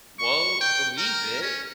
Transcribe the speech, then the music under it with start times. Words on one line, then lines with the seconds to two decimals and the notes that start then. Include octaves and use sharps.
Well, believe it.
0.19 C#6
0.61 G5
0.98 A#4
1.41 C#4